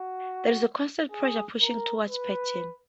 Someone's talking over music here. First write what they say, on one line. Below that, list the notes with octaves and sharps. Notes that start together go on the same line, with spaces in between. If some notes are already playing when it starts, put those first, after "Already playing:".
There's a constant pressure, pushing toward pattern.
Already playing: F#4
G#4
A#4
B4